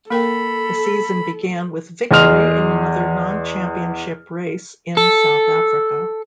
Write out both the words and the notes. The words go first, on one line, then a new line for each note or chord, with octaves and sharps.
The season began with victory in another non-Championship race, in South Africa.
A#3 A4 A#4 G5 B5
E2 G#4 D#5 C6 F6 F7
A4